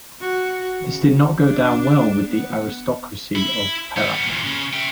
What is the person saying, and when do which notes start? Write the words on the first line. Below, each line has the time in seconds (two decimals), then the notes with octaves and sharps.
This did not go down well with the aristocracy of Perak.
0.20 F#4
0.85 C#3
1.37 D4
2.27 B3
3.35 E4
3.97 G3 B3
4.26 E2 A#2
4.45 C#3
4.73 E5 G5